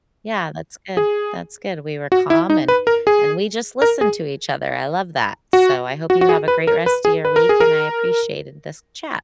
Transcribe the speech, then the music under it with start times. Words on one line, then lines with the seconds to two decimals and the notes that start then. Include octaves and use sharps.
Yeah, that's good, that's good, we were calm, and and we just listened to each other, I love that, so, I hope you have a great rest of your week and I appreciated this chat.
0.97 G#4
2.12 F#4
2.30 E4
2.50 D#4
2.68 B4
2.87 A#4
3.07 G#4
3.82 A#4
4.01 G#4
5.53 F#4
6.10 F#4
6.21 F#4
6.29 G#4
6.48 B4
6.67 A#4
6.86 B4
7.05 G#4
7.25 B4
7.36 A#4
7.49 G#4
7.60 A#4